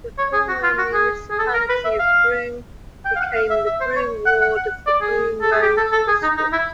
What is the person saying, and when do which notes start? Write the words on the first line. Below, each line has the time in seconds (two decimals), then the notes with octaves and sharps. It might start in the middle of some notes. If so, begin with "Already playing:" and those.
The former Municipality of Broome became the Broome ward of the Broome Road District.
0.18 C#5
0.33 G#4
0.48 F#4
0.63 F4
0.78 F#4
0.94 G#4
1.31 G#4
1.39 A4
1.54 A#4
1.69 B4
1.84 E5
1.99 F5
3.05 G5
3.15 F5
3.20 F#5
3.35 F5
3.50 E5
3.66 E5
3.81 C5
3.96 C#5
4.26 F#5
4.41 F#5
4.56 F#5
4.87 D5
5.01 G#4
5.41 A4
5.52 G#4
5.62 G4
5.77 A4
5.92 A4
6.08 G#4
6.23 D#4
6.37 D#4
6.52 E4